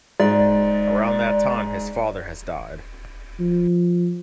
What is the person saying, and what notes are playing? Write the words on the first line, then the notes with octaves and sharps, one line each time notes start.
Around that time his father has died.
G#2 D5
F3